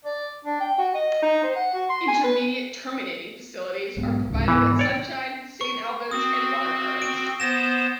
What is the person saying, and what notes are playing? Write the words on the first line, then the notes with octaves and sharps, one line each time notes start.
Intermediate terminating facilities are provided at Sunshine, Saint Albans and Watergardens.
D5
D4
G5
F#4
D#5
D#4
C5
F#5
F#4
C6
G#5
B4
B1 G#2 B2
C#2 G#2 C3
G#2 E3 B3
C#5 D5
C#6
C4 F#4 D#6
D7
B3 C5 A#6 E7